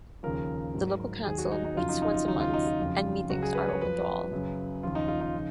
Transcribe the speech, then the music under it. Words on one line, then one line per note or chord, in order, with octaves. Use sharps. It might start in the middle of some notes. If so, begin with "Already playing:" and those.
The local council meets once a month and meetings are open to all.
D#2 C#3 F3 A#4
G#2 F#3
D#2 D#3 F#3 G#4
F#4
D#4
D#4
F2 C#3 F#3 F4
D#4
D#4
F4
D#2 C#3 F#3 D#4
F4
D#4
F4
F2 C#3 F#3
C#2 C#3 F#3 F#4
G#4
B4
C#5
F2 F3 B4
F#2 C#3 F#3
D#2 C#3 F3 F4
D#4
F4
D#4
C#3 F3